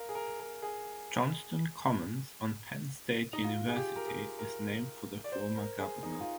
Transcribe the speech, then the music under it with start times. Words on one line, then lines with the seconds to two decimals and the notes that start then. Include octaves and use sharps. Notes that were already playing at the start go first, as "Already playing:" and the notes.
Johnston Commons on Penn State University is named for the former governor.
Already playing: A#4 F5
0.09 G#4
0.15 A#4
0.39 A#4
0.62 G#4
3.33 D#4
3.44 F4
3.68 G#4
3.76 G4
3.96 A#4
4.07 G#4
4.39 A#4
5.24 D5
5.32 C5
5.56 A#4
5.79 G#4
6.03 D#4
6.20 F4